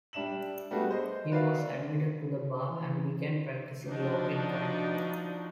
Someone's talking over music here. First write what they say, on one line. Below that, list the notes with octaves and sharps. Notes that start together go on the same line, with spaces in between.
He was admitted to the bar and began practicing law in Connecticut.
G3 D4 E5 E7 F#7
G3 A3 B3 D4 F#4 G#4
C5 D#5
F#4 B4 D5 E5 F5
E3
F3 D4 D#4 F#4